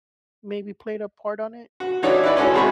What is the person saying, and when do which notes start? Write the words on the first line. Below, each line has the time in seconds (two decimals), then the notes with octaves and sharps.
maybe played a part on it.
1.80 F#4
2.03 E3 D#4 F#4 A4 C#5 D5
2.24 E4 B4 D5
2.36 G#3 C#4 D#4 F#4 A4
2.54 C3 F#4 G#4 B5 C#6